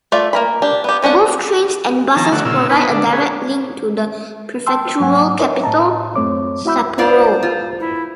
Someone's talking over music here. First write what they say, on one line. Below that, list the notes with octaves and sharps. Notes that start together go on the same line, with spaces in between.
Both trains and buses provide a direct link to the prefectural capital, Sapporo.
A3 F4 D5 E5
A#3 A#4 B5
D4 G4
B3 G4
F3 C#4 D4 F#5
D#3 F3 A5 A#5
D3 A3 F#4
A#2 C#3 F4 E6
B3 D#4 B4
D3 D4
C#4 G#4 B4
G5 A5 C6 E6
G#2 F#3 A#3 F#5 G#5
A#4 B4 C#5 D#5 E5
A2 A5 A#5
F#2 A3 C4 C#5 D6
E4 F#4 E5 B5 E6 G6
D4 F4 C5 D5
F4
E4